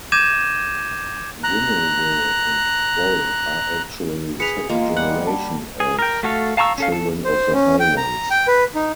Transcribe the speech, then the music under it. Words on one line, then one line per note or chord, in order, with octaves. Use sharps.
Winnowill and Voll are actually "second generation" elves, children of the High Ones.
D6 G6 G#6 A#6 D#7 E7
A#5 F#6
G#4 B4 C#7 F7
G#3 A#3 F4
G3 F#5 F#6
A5
G#4
A#4 G5
A3 F#4 A4 F5
F5 A5 A#5 C#6 E6
C#4 A4 F5
A4
C5
C#4
G5
A#5
G5
B4
D#4